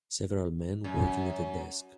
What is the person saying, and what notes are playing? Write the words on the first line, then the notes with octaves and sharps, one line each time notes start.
Several men working at a desk.
F#2